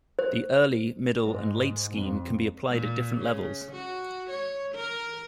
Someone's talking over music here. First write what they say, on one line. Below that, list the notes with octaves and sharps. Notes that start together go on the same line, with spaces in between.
The "Early", "Middle" and "Late" scheme can be applied at different levels.
C5
G#2
F2
A#2
C#3
F#4
C#5
A#4